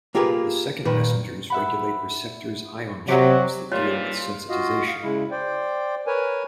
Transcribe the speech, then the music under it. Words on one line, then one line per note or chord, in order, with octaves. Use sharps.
The second messengers regulate receptors ion channels that deal with sensitization.
A#3 F4 G4 G#4 A#4 B4
A#2 D#3 B4
E5 F#5 B5
C3 F#3 C4 D5 B6
C3 E3 G3 A#3 F4 C#5
F4 F#4 D#5 F5
F5
C#3 G#3 E4
C5 D5 G5
A#4 B4 C#5 G#5